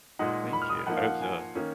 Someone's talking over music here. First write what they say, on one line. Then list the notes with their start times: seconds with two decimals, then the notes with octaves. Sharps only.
Thank you. I hope so.
0.19 A#2 G#3 D#4 F#5
0.53 B5
0.62 F6
0.69 D#6
0.79 F6
0.87 F3 A#3 D#4 F#5
0.97 F5
1.04 F#5
1.21 G#5
1.55 D#3 A#3 C#4